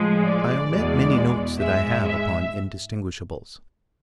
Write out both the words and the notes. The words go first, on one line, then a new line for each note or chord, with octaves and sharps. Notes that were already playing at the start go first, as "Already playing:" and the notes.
I omit many notes that I have upon indistinguishables.
Already playing: A2 F3 G#3
D5
E2 B2 G#3
G#2 G#3 E5
E5